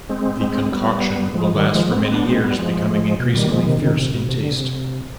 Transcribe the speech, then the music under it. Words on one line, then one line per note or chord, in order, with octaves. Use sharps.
The concoction will last for many years becoming increasingly fierce in taste.
G#3 C4
G#3 C4
G3 B3
F3 G#3
D#3 G3
F3 G#3
B3
G#3 C4
B3 D4
G#3 C4
G3 B3
F3 G#3
B2
D#3 G3
F3 G#3
C3 D#3
C3 D#3
C3
B2
C3
D3
C3